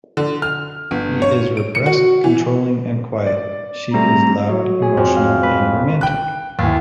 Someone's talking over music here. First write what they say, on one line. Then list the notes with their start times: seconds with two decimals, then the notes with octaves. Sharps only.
He is repressed, controlling, and quiet; she is loud, emotional, and romantic.
0.17 D3
0.42 F6
0.91 G1
1.22 C#5
1.57 D7
1.75 C#7
1.86 F#4
2.24 E3
3.27 D5
3.94 G3 A3 C4 A#5
4.49 F#3
4.82 G#4
4.97 F2
5.16 F5
5.43 B4
6.01 G5 F#6
6.59 D#2 E3